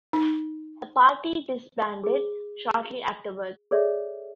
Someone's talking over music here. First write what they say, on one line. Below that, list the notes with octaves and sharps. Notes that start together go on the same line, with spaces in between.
The party disbanded shortly afterwards.
D#4
G#4
G#4 A4 C#5 D5 E5